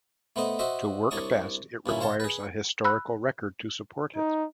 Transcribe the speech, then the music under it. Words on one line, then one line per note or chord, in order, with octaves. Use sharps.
To work best it requires a historical record to support it.
A3 B3 C5 D#5
F#4 C5 D#5 E5
C2 D4 C#5 A5 C#6 D#6
G2 A#2 C#4 E4
C5 C#5 F5 A5 C6
G#4 B4
B5 E6 F#6
D#4